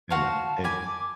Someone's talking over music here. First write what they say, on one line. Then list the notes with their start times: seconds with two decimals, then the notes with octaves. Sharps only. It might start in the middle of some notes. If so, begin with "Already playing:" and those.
And and
0.10 F#4 F5 A5 C6
0.64 G#5 B5 D6